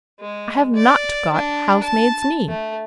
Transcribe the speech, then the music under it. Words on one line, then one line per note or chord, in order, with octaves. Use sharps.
I have not got housemaid's knee.
G#3
D5
D4
A5
A3